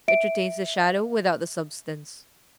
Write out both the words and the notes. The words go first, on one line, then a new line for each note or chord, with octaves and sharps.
It retains the shadow without the substance.
E5 D7